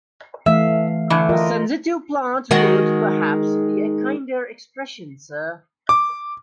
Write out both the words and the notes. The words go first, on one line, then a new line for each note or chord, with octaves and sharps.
A sensitive plant would, perhaps, be a kinder expression, sir.
E3 A3 E5 F5
D3 E3 A3
F4 A#4 D#5
D#3 G#3 F#4
D6